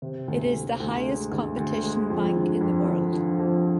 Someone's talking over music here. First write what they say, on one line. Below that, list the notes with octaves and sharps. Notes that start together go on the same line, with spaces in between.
It is the highest competition bank in the world.
C3
D2
D2
D2
G#3
D2
D2
G#3
F2
D3
F2
D3
F3
F2